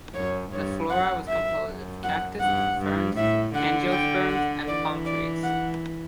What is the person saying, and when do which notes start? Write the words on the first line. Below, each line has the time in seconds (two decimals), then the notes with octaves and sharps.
The flora was composed of cactus, ferns, angiosperms, and palm trees.
0.14 F#2 C#5
0.52 G2 C#5
0.90 F#2 F#5
1.28 E5
1.65 F#2
2.03 F#5
2.40 G2 F#5
2.79 G2
3.16 A2 E5
3.54 D3 F#5
3.92 G5
4.30 F#5
4.67 E3 D5
5.05 D5
5.43 F#5